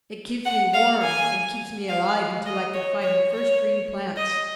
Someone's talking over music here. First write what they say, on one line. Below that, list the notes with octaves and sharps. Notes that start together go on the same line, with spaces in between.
It keeps me warm and keeps me alive until I can find the first green plants.
F#5
F5
G#5
F5
D#5
C#5
C#5
C#5
D#5